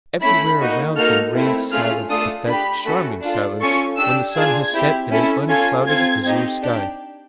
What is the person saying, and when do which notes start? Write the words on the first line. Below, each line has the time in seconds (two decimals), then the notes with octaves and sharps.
Everywhere around him reigned silence, but that charming silence when the sun has set in an unclouded azure sky.
0.21 A3 C#4 E4 B5
0.60 A#3 D#4 F#4
0.96 A#3 D#4 F#4 A4 F6
1.35 A3 C4 E4
1.72 A3 C#4 F4 G#4 F6
2.09 A3 D4 F4 A4 D#6
2.47 D4 G4 B5
2.85 A3 C#4 F#4 A4
3.23 D4 F4 A4
3.60 C#4 F4 A4 C#6
3.98 D4 G4 E6
4.35 D4 F4 G#4 G#6
4.73 C4 E4 G4
5.11 C#4 E4 A4
5.49 C#4 F4 A4 G#6
5.86 C4 F4 A4 G#6
6.24 C4 D#4 G4
6.62 D4 G4